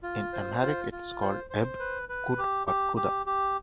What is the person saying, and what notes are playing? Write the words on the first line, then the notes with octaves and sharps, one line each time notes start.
In amharic it is called Ehb, Qud or Quda.
F4
C5
F4
F4
C5
C5
B4
B4
G4
G4
G4
G4